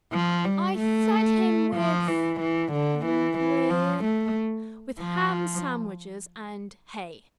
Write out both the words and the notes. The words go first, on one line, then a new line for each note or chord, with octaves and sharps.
I fed him with--with--with Ham-sandwiches and Hay.
F3
G3
A3
F3
E3
E3
D3
E3
E3
F3
A3
F3